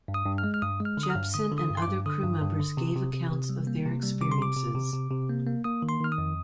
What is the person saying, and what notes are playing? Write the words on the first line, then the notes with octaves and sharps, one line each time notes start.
Jeppson and other crew members gave accounts of their experiences.
G2
D#6
G2
F6
G#3
F6
G2 D#6
G#3
F6
D3
D#6
F6
G2
D3 D#6
D3
D#6
G2
C6
D6
G2
D3 D#6
G2
G2
D3
C3
C3
C3
C3
G3
A#3
C3
G3
C3 D6
C6
C3 D6
C3
C3
C3
C3
A#3
A#3
A#3 D#6
D#3
C6
D#3 F6
D#6
F2